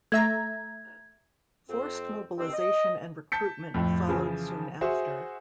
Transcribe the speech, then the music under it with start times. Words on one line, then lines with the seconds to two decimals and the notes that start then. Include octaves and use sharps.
Forced mobilization and recruitment followed soon after.
0.12 A3 E5 A#5 G#6
1.69 F2 C4
2.37 G2 D#3 C4
2.53 D#5
3.32 A5 G6 B6 C#7
3.74 F2 A2 F3
4.09 C#3 E3 F3
4.81 F#4 G#4 C5 E5 F#5